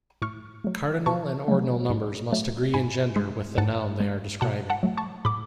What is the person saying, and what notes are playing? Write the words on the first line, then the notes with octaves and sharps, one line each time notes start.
Cardinal and ordinal numbers must agree in gender with the noun they are describing.
A2 C#6 F6
F#3 A3
B2 A5 C#6
F#3 A3
G#2
F#3 A3
G#2 G#5 B5
G#3
G#2 F#5 A5
G#3
B2 F#5 A5
F#5 A5
F#3 A3
A5 C#6
A2 B5 D6